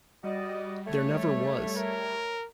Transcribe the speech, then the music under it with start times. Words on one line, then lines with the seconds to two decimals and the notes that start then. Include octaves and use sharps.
There never was...
0.24 G3 F#4 D5 D#5
0.87 A3 C#5
1.76 A#4